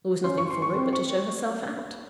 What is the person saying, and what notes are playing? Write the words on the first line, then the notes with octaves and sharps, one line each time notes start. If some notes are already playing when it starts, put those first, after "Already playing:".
There was nothing for it but to show herself out.
C#4 C6
C#6
C6
C#6
C4 C#6
C#6